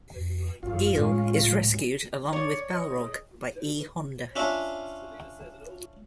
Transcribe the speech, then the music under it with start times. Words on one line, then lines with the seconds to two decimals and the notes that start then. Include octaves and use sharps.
Guile is rescued along with Balrog by E. Honda.
0.16 F2
0.63 G#1 F#2 F4
0.95 A2 G#3 C#4
1.40 C#2 A#2
2.33 C#5 D5
2.72 D#5
4.36 C#4 D4 F4 E5